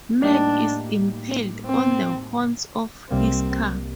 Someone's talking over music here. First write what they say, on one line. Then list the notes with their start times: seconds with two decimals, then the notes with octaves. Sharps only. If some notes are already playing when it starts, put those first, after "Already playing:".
Mac is impaled on the horns of his car.
0.22 A2 G3 A#3 D4 D#4 G4
1.66 C4
3.10 C2 C3 G3 A#3 C4